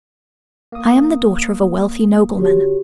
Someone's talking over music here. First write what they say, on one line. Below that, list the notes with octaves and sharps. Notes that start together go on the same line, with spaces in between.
I am the daughter of a wealthy nobleman.
A#3 D#6
D3 F#4 G4 C#5